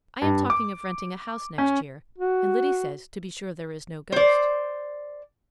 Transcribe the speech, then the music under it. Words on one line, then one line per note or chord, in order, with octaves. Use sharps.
I am talking of renting a house next year, and Liddy says to be sure there is no ghost.
G2
D6
C#4
F#4
C5 D5